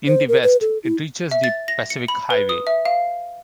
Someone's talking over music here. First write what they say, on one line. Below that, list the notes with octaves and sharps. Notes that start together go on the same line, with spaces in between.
In the west it reaches the Pacific Highway.
C5
A#4
B4
A4
E4
E5
A6
A#6
C#7
B5
B4
D#6
E5
F5